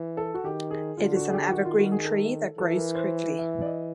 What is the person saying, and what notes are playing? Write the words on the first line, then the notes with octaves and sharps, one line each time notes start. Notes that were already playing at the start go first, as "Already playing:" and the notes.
It is an evergreen tree that grows quickly.
Already playing: E3
A4
F#4
D#3 G4
G#4
D3 F4
F#4
G#4
G4
D#3 F#4
F4
F#4
G#4
A4
E3 A4
A#4
C5
E5
D5
D#5